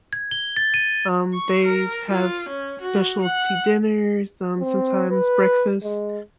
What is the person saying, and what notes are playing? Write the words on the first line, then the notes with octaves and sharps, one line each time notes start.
Um, they have specialty dinners, um, sometimes breakfast
G#6
G7
A6
D#7
C#6
A#4
F4
C#4
F#4
F#5
C4
B4
G#3